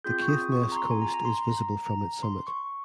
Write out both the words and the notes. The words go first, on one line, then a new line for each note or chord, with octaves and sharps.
The Caithness coast is visible from its summit.
C4 F4 G#4 G6
C#6
D#6
C#6
A#5
C6
G#5
A#5
A#5
C6
A#5
A#5
C6
C#6